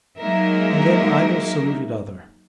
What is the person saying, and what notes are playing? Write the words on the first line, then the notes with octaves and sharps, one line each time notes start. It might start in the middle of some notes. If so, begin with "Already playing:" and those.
And then either saluted other.
F#3 G#3 A#3 D#4 A#4 E5